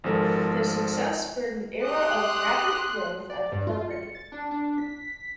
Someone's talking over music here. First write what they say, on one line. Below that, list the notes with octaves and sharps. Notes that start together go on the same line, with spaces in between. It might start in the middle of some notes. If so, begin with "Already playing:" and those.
Their success spurred an era of rapid growth at the company.
G#1 F3 A4 A#4
G4 C6 D#6 F#6
D5
G2
F4
C#7
A6
D4
D4
B6